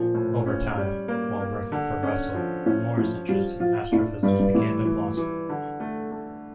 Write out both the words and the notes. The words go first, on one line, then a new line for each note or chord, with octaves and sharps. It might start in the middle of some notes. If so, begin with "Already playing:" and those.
Over time, while working for Russell, Moore's interest in astrophysics began to blossom.
Already playing: A#2 F3
A2
C#4
G3
A#3
A#3
D3
C#4
F3
A2 C#4
A2 F3
G3 F4
F3 F4
A2 D4
G2 G3
G2
A2 E3
E3
E3
D3
A3
A3